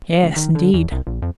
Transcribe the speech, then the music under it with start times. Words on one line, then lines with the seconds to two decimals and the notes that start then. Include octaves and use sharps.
"Yes, indeed."
0.23 C#2
0.36 D#3
0.55 D3
0.74 E2
0.92 C2
1.07 A#1
1.22 F2